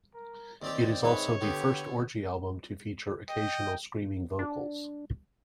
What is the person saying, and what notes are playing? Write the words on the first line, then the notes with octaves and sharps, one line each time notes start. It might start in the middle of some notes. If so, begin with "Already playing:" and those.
It is also the first Orgy album to feature occasional screaming vocals.
A#4
D#2 C4 G4 D5
G#2 C3 B4 C#5
D3 B3 G4
D#5 G5
D4